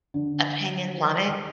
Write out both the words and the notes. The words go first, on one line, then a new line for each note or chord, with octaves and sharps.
Opinions on it.
D3